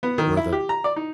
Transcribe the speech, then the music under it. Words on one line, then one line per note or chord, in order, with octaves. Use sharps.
Where the
B3
D#3
E4
G4
A#5
D5
D#4